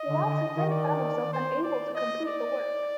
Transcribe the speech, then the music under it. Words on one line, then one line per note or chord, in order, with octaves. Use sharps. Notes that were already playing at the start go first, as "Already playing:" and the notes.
Walton then found himself unable to complete the work.
Already playing: D#5
D3
D3
D#3
D5
C5
D5
D#5
D5